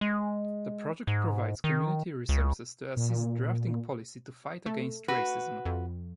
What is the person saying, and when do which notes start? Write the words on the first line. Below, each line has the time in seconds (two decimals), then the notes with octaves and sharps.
The project provides community resources to assist drafting policy to fight against racism.
0.01 G#3
1.07 G#2
1.64 D#3
2.29 C#2
2.97 A#2
4.66 A3
5.08 F#4 B4
5.66 F2